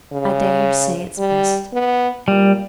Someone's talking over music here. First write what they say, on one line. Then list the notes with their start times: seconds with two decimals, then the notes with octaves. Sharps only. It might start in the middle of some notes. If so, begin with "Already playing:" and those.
I dare say it's best.
0.12 C#3
1.18 G3
1.73 B3
2.28 A#2 G3